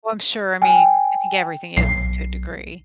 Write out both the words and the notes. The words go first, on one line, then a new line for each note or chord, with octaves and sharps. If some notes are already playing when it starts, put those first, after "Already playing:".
Well, I'm sure, I mean, I think everything is to a degree.
G5 G#5
B1 C7